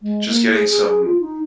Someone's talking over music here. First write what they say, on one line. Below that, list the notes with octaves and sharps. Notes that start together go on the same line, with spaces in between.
just getting some
G#3
A#3
G#4
G#4
G#4
F4
D#4